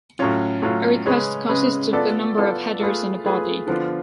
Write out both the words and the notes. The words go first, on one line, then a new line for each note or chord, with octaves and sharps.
A request consists of a number of headers and a body.
A2 F#3 C#4 F4
A2 F#3 C#4 F4
C#3 G#3 C#4 G#4 B4
C#3 G#3 C#4 G#4 B4
B3 F4 A4 D5
B3 F4 A4 D5
A3 F4 G#4 B4
A3 F4 G#4 B4
D3 F3 B3 F4